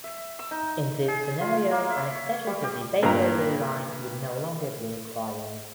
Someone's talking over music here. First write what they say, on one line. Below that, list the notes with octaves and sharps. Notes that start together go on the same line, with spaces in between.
In this scenario, an extension to the Bakerloo line would no longer be required.
E5
E6
D#4
G#4
F4
A#3
E5
C#5
G3
G4
G2 A#2 A#5